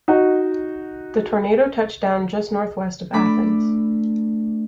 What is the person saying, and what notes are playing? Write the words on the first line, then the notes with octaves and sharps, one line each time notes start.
The tornado touched down just northwest of Athens.
D#4 F#4
A3 D4 B5 D6